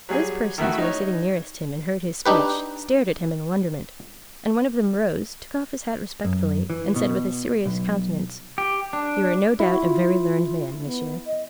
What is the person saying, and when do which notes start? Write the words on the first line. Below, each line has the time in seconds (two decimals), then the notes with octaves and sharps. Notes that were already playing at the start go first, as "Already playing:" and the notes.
Those persons who were sitting nearest him and heard his speech, stared at him in wonderment; and one of them rose, took off his hat respectfully, and said with a serious countenance, "You are no doubt a very learned man, Monsieur."
0.09 F#3 G3 G#4 G#5
0.58 D#3 A3 E4 F#4
0.78 D#4 C#5
2.26 D4 D#4 G4 B4
6.25 F#2
6.70 E3
6.96 B2
7.66 B1
8.58 G4
8.93 D4
9.60 E4 F#4
9.81 F4
10.86 B3
11.26 D#5